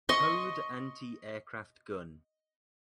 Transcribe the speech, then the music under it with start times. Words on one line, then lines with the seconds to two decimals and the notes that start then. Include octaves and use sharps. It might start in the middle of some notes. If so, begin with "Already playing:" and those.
Towed anti-aircraft gun.
0.09 D#5 C6 C#6